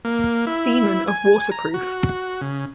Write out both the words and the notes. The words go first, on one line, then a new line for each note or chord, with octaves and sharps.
Seaman of Waterproof.
A#3
E4
G#5
A#5
F#4
C#3